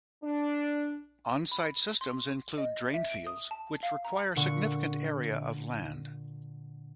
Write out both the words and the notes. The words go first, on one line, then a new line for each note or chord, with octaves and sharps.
On-site systems include drain fields, which require significant area of land.
D4
B5
C6
D#5
E5
D7
D#6
A5
F5
A#5
A#2 D3 F#5 C#6